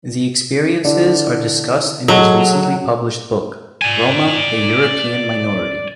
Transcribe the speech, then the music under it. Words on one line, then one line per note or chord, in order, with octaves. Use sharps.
The experiences are discussed in his recently published book: Roma - A European Minority.
D3 E3 D4
F#3 G#4 A4 D#5
D5 G#5